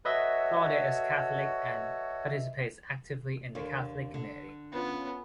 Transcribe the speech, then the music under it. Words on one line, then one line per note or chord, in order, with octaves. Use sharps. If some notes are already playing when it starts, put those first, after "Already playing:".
Claudia is Catholic and participates actively in the Catholic community.
F#4 A4 B4 C#5 D#5 E5
D#2 D3
D3
B3 C#4 F4